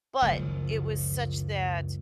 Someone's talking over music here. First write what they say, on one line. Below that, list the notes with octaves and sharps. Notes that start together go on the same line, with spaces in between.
But it was such that
F#1 C#2 D#3 F3